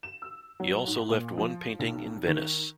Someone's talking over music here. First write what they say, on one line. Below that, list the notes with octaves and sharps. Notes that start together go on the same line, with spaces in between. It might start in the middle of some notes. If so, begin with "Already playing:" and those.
He also left one painting in Venice.
E7
E6
F#3
G#2
A#2
F3
B1
D#3